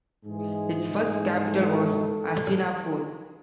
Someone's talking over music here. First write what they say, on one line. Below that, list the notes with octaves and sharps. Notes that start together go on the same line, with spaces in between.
Its first capital was Hastinapur.
G#2 E3 G#3 G#4
A4